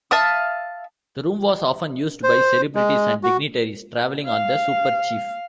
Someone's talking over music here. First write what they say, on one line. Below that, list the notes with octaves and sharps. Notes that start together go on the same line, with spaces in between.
The room was often used by celebrities and dignitaries traveling on the "Super Chief".
E5 F5 A5 D#6
C5
G#3
F#4
F5